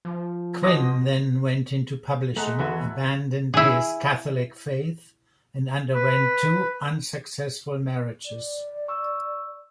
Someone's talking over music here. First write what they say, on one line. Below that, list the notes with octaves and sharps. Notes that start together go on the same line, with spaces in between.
Quinn then went into publishing, abandoned his Catholic faith, and underwent two unsuccessful marriages.
F3
B2 C5 G5 D#6 A#6
G#3 A3 F#5 A#5
E2 B3 E4 F#4 A4
E4 G#4
B4
D5
C#6 E6